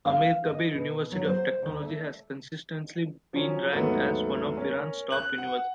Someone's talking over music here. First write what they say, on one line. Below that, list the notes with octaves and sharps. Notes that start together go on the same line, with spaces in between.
Amirkabir University of Technology has consistently been ranked as one of Iran's top universities.
F5
D#5
B2
F#3
C5
D2
A3
F3 F#3 C#4
D#2 G#2 F#3 A3 B3
C#4 A#4
F#6 F#7
F#5